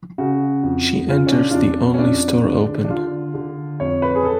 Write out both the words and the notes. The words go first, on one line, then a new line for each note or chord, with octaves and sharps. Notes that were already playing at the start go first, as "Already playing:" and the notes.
She enters the only store open.
C#3 F#4
F2
C#3 F4
C#4
D4
F4
F2 D4
C#4
F2 D4
D3
D4
D3 F4
D3
F2 C#5
B4
G#4
A4